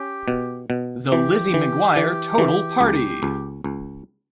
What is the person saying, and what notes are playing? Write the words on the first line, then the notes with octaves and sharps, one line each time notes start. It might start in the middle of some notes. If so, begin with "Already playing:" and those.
The Lizzie McGuire Total Party!
Already playing: C#4 G4
B2
B2
E3 G4
E3
E3
E3
C#2
C#2
C#2